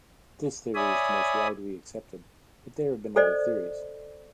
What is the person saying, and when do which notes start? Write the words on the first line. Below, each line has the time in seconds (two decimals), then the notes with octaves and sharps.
This theory is the most widely accepted, but there have been other theories.
0.75 C#5 D5 E5 G#5 B5 D#6
3.16 A4 C5 D5 D#5